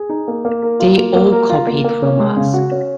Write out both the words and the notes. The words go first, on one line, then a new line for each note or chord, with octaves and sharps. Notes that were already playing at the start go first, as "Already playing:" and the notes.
They all copied from us.
Already playing: G#4
D#4
A#3
A#3
A#4
F4
A#3
A#3
A#4
F4
A#3
A#3
C#4
G#3
C#3
F#4
C#4